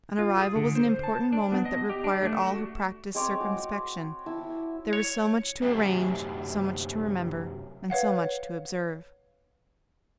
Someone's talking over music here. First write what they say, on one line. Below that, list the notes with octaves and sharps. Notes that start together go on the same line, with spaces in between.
An arrival was an important moment that required all her practised circumspection; there was so much to arrange, so much to remember, and so much to observe.
F4
G#4
D3
C5
A5
D4
B3
D#5
G4
D4
A3
F#4
G#3 C4 C#5 D6
F#4
E4 A5 E6
C#5
F#2 C3
B4 C#5 F5 F#5